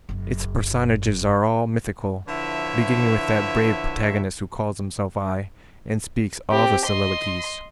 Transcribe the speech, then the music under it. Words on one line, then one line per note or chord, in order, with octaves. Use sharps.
Its personages are all mythical, beginning with that brave protagonist who calls himself I and speaks all the soliloquies.
F#1 F#2
D3 F3 E4 B4 C#5 E5
C4 G4
D#5 C6